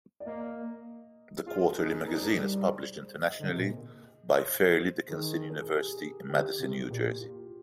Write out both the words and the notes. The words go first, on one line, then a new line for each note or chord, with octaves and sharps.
The quarterly magazine is published internationally by Fairleigh Dickinson University in Madison, New Jersey.
D5
A#3 D#5
F4 G#4
D#4 G#4
D#4 A#4
D4 C5
D#4 A#4
G3 D5
C5
D#5
D3
C3
A#2
C5
D#3 G#4
A#4
G#4
G4
D3 G4
C3
A#2 G4
F4